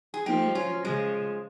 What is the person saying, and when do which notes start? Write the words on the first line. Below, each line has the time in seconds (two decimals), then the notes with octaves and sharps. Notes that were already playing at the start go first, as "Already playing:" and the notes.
I mean, he was
0.14 G#4
0.26 F3 D#4 G4
0.55 C#4 F4
0.84 C#3 F3 G#3